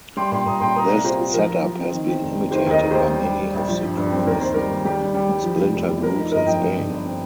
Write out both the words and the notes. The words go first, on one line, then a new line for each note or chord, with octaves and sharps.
This set-up has been imitated by many of the communist splinter groups in Spain.
G3 G5 C6
A#2 G5 C6
A#2 A#5 D#6
A#2 G5 C6
A#3 A#5 D#6
C2
F4 G4 C5
F4
F3 A#4
F3
F3
C4
D#3
C4
F1
F1
D#3 G4 C5
D#2 A#4 D#5
D#3
D#2 G4 C5
G3
G3
G3
A#1
F3
G2
G2
C4
D#2 A#4
D#2 C5
G3 A#4
D#2
G3 G4
G3
G3
G3
F3
F1
F1
F1
F3 A#4
D#4
G1 A#4 D#5
F3 D#5 G5
G1
G2
G1
C4